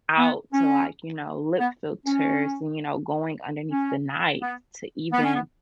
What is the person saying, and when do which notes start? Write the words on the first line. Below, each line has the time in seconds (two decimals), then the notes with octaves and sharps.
out to, like, you know, lip filters and, you know, going underneath the knife to even
0.18 B3
0.53 C#4
1.60 B3
2.06 C#4
3.71 C#4
4.42 B3
5.12 B3
5.23 C#4
5.34 B3